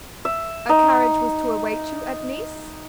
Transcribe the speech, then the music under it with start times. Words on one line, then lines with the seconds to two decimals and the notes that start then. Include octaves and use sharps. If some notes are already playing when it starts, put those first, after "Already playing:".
"A carriage was to await you at Nice?"
0.25 E5
0.69 D#4